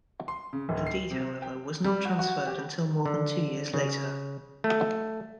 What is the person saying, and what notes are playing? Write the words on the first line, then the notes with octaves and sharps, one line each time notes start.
The deed, however, was not transferred until more than two years later.
C6
C#3
D1
C7
C3
G5
G3
F#4
F#4
G4
D3
C#3
A3